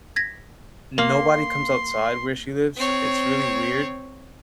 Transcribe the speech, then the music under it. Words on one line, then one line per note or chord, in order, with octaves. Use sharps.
nobody comes outside where she lives. It's really weird,
G#6 A#6 B6
A#3 A#4 C6
C4 C#5